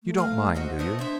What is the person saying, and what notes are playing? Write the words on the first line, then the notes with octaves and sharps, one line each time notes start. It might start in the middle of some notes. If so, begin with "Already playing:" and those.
You don't mind, do you?
A3
A#4 B4 F5
F#4 C5 D#5 E5
A3 B3 D#5
D4 E4 C5 E5